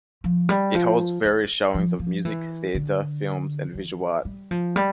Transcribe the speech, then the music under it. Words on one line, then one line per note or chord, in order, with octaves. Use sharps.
It holds various showings of music, theatre, films and visual art.
F3
G3
F3
E3
F3
F3
E3
D3
E3
G3
F3
G3